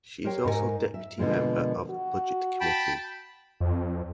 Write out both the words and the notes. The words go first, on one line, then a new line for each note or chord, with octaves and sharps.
She is also deputy member of the budget committee.
G4 A#4 C5 C#5 G5
G#2 A#4 B4 G#5
E5
B2 D3 F3 G#3 A#3
F#4
G5 A5 B5
F2